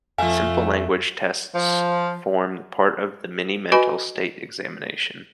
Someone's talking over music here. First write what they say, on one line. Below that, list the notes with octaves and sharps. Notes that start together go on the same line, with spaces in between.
Simple language tests form part of the mini-mental state examination.
F2 F3 A3 E5 F5 G#5
F3
F#4 B4 D#5 G#5 B5